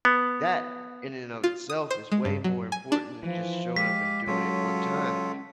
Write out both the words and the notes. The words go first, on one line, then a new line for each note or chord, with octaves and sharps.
That, in and of itself, is way more important than just showing up and doing it one time.
B3
F4
D#6
C5
G#3
G2
F#3
G#5
D4
E3 F3
G#3 G4 F5 B6
F#3 G#3 C4 C#4 F4 A4 C#5